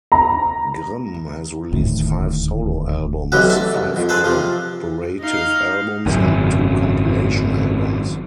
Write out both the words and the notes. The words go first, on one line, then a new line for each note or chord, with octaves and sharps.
Grimm has released five solo albums, five collaborative albums and two compilation albums.
A#5
D#1 D2 A2 D#3
B1 C3 E3 C#4 F#4
A3 E5
C2
F2
G#4 A4 B4 C5
C3 F3
D#4 F5
G#1 F#2 A2 C#3